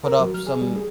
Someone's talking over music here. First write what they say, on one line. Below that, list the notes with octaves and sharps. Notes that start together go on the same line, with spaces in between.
put up some
A#4
F#3
F6
G#4
G3
G#4